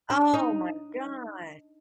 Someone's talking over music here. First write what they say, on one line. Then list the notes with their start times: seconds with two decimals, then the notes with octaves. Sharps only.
Oh my god!
0.10 D4
0.34 D#4